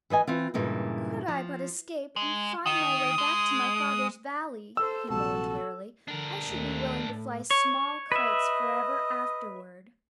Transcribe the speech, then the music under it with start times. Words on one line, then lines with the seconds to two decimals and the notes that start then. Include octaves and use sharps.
"Could I but escape and find my way back to my father's valley," he moaned, wearily, "I should be willing to fly small kites forever afterward."
0.10 E3 B4 D#5 G#5
0.27 E3 C4 F4
0.54 G2 A#2 C#3 E3 G#3
1.28 F3
2.16 G#3
2.66 D#3 D#6
3.18 G#3
4.77 A4 C5 E6
5.10 A#1 C3 F#4 A4 A5
6.08 D3 D4 A#4
6.50 D#2 A3
7.08 A2
7.51 C#5
8.12 B4 D#5 E5